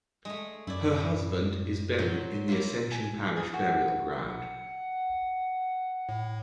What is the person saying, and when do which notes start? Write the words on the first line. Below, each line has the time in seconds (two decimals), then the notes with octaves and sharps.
Her husband is buried in the Ascension Parish Burial Ground.
0.25 G#3 A3
0.67 F#2 E4 D5
0.95 A2
1.99 F#3 F#4 C5
2.48 A#3 E4 F4
2.91 G#5
3.37 G#4
3.53 F#4
4.28 F#5
6.09 A2